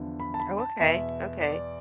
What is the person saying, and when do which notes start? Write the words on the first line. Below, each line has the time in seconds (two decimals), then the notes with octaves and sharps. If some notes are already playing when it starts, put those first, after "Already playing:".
Oh, okay, okay.
Already playing: E2 D3 F3
0.20 B5
0.34 A5
0.40 B5
0.60 A5
0.80 E2 B2 E5
1.41 D5